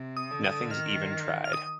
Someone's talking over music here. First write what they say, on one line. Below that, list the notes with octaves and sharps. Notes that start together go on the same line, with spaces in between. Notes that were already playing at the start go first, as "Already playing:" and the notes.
Nothing's even tried.
Already playing: C3
D#6
D3
D#6
D#3 F6
F6
D#6